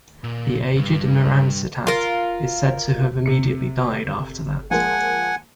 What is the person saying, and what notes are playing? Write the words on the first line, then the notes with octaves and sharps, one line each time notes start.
The aged Mihransitad is said to have immediately died after that.
A#2
C#2 G2
F4 A#4
C3 C#7
F3 G#3 A#3 F#5 G#5